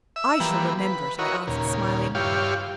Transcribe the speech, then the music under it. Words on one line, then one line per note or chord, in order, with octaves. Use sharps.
'I shall remember it,' I answered, smiling.
E5 E6
E3 F3 G3 A#3 B3
B4
E4 F#4 A#4 C#5 D#5
D#2 A#2 C#3
G2 E4 F4 G4 C#5 F5